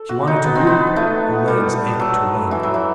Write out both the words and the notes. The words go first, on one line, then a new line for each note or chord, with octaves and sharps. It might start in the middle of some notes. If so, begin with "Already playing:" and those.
She wanted to whoop, her legs ached to run.
Already playing: A4
F#4
D#4
B3
C4
B3
A3
G3
F#3
E3
F#3
E3